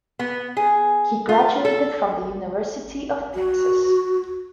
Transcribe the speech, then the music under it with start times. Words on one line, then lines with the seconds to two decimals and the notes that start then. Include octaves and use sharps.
He graduated from The University of Texas.
0.19 B3
0.57 G#4
1.29 F4
1.65 A4
3.34 F#4